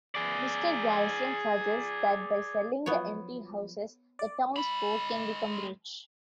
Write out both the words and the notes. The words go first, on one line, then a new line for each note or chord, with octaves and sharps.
Mr. Garrison suggests that by selling the empty houses the townsfolk can become rich.
G#4 D5
F3 F#3 B3 C#5
D5
G#3 B5